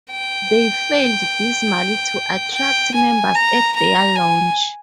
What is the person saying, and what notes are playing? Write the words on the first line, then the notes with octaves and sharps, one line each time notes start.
They failed dismally to attract members at their launch.
G5
G5
G#5
A#5
A#5
G#5